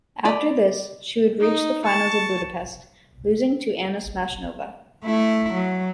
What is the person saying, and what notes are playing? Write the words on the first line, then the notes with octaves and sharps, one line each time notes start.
After this, she would reach the finals of Budapest, losing to Anna Smashnova.
D5 D#5 B5
D#4
A5 C#6
A3 E4
F#3